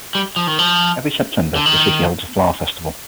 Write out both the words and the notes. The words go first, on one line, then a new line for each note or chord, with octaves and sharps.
Every September the city holds a flower festival.
G3
F3
D#3
F3
D3
D#3